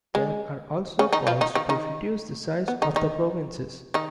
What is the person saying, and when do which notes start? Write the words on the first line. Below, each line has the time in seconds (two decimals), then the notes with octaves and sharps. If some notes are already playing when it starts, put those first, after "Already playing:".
There are also calls to reduce the size of the provinces.
0.15 G#3
0.99 C#3 C#4
1.13 D#3 D#4
1.27 F3 F4
1.41 D#3 D#4
1.55 D#3 D#4
1.69 D#3 D#4
2.68 B3
2.82 D#3 D#4
2.96 D#3 D#4
3.94 D#3 D#4